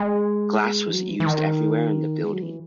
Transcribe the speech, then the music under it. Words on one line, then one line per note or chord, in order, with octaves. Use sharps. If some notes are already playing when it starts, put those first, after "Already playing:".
Glass was used everywhere in the building.
Already playing: G#3
E3
F#3
E3
E3
D#3
G#3
F#3
E3